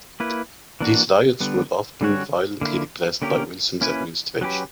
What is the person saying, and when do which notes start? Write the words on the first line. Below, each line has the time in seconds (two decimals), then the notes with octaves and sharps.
These riots were often violently repressed by Wilson's administration.
0.20 A#3 E4 B4
0.81 E3 A#3 D4 F#4
1.40 D3 G3 B3
2.01 D3 G3 C#4 F#4 C#5
2.61 D3 A#3 E4
3.22 D3 A#3 C#4 G4 A#4
3.81 A#3 C#4 E4 B4
4.41 F#3 C#4 G4 B4